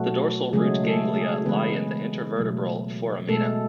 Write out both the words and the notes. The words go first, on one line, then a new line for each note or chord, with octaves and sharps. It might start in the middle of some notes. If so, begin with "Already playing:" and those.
The dorsal root ganglia lie in the intervertebral foramina.
Already playing: B2 F#3 A3 F#4
C#3 F#3 G#3 A3 G#4
A3 A4
G#3 G#4
C#3 E3 G#3 B3 B4
B2 F#3 A3
B2 G#3 A3 A4